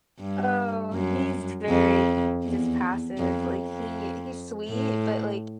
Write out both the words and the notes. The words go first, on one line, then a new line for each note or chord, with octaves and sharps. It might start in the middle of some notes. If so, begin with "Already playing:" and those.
So, he's very just passive, like, he he's sweet, but, like,
G2
F#2
F2
E2
F2
F2
A2